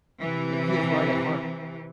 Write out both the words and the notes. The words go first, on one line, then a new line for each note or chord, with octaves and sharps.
But he is right at heart.
C3 E3